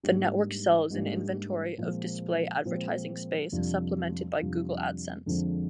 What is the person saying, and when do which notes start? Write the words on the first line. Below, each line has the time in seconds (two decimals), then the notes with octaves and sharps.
The network sells an inventory of display advertising space supplemented by Google AdSense.
0.03 G#2 G3 A#3 D4 G4
0.90 G#2 G3 A#3 D4 G4
1.78 A#2 F3 G#3 C4
2.65 A#2 F3 G#3 C4
3.52 F2 C3 G3 D4 F4
4.40 F2 C3 G3 D4 F4
5.26 F2 D3 F3 G#3 C4